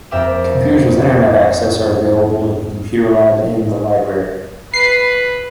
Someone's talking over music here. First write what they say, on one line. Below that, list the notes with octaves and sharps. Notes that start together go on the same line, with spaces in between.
Computers with internet access are available in the computer labs and the library.
F2 A#4 E5 G5 D6 E7
B4 C7